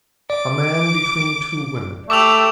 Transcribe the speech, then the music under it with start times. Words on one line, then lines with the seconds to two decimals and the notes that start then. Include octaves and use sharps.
A man between two women.
0.30 D5 D6
2.10 A3 G4 D6 E6 F7